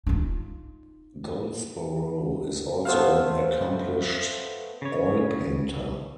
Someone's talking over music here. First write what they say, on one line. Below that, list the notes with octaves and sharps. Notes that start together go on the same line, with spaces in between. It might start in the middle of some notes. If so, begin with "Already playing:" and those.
Goldsboro is also an accomplished oil painter.
D#4 F4
A3 B3 C5 F5
C#3 C#5